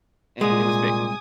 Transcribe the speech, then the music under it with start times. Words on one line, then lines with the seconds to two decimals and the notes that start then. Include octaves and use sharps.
and it was big.
0.41 C2 A#2 G#3 G#5 D#6